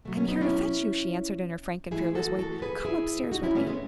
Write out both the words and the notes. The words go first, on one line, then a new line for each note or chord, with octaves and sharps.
"I am here to fetch you," she answered, in her frank and fearless way. "Come upstairs with me."
B2 F#3 A3
A3 C#4
B3 D#4
C#4 E4
A2 E3 G#3 E4 G#4
F#4 A4
F#4 A4
G#4 B4
E4 G#4
D#4 F#4
C#4 E4
A3 C#4
G#3 B3